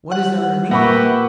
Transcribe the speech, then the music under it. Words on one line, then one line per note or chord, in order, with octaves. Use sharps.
What is there underneath?
G3 F#5
A#2 G4 A#4 B4 E5 F#5 B5 C#6